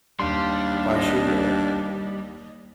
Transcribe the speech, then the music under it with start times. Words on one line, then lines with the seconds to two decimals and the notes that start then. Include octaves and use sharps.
I should know.
0.20 D#2 G3 D4 F5 C6
0.96 D#5